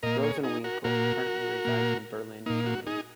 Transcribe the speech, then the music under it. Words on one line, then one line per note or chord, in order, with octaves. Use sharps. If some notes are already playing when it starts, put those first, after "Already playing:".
Rosenwinkel currently resides in Berlin, Germany.
A#2 A#3 A#4 D#5
G#4 C#5
D#4 G#4
F#4 A#4
A#2 A#3 F#4 A#4
A#2 A#3
A#2 A#3 D#4
F#4
D#4 G#4